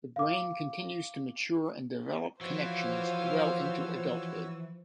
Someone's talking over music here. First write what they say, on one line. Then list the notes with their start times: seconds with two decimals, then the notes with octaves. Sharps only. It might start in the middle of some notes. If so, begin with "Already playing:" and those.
The brain continues to mature and develop connections well into adulthood.
0.16 F5 D6
2.41 E3 F3 F#4 C5 C#5 F5 E6